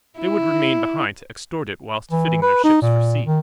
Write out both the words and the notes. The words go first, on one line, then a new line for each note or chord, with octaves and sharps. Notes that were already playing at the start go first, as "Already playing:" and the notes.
They would remain behind to extort it whilst fitting their ships for sea.
E4
E3
B4
D#4
A#2
D#3